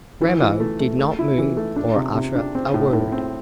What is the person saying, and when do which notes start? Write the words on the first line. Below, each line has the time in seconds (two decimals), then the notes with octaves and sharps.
Ramo did not move or utter a word.
0.21 E3
0.42 E3
0.60 A3
0.80 A3
0.99 A3
1.19 E4
1.38 E3
1.57 A3
1.76 D4
1.96 C3
2.15 C3
2.35 D4
2.55 C4
2.74 A2
2.93 A2
3.12 C4